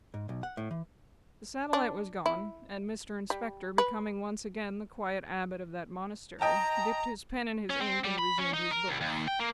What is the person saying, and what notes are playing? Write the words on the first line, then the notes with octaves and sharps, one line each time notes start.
The satellite was gone; and Mr Inspector, becoming once again the quiet Abbot of that Monastery, dipped his pen in his ink and resumed his books.
G#2
B1
F#5
A2
E3
D4
E4
G3
B4
D#5 G5 A5 A#5
C#4
C4
G3
B5
C#4
D#4
A#4
C2
D#2
G5
A#3